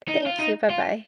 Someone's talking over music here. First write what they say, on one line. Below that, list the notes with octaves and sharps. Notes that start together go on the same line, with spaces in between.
thank you, bye-bye.
D#4
F4
D#4
F4